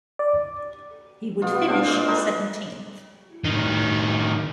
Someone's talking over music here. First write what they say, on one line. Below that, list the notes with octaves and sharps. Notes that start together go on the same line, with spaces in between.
He would finish seventeenth.
D5
B2 F4
B3
C4 D4 F5
A#2 G#3
D#4 A4 B4
A2 D#3